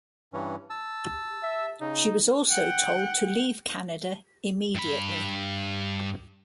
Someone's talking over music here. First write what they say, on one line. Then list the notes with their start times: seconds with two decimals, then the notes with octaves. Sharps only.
She was also told to leave Canada immediately.
0.33 G2 E3 C#4
0.70 A5 E6
1.43 E5
1.81 C#3 D#4
2.50 F#5 G5
4.75 G2 B5